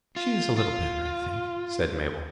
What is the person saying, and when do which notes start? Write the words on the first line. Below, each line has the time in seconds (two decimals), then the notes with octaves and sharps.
"She is a little better, I think," said Mabel.
0.16 F4
0.57 F4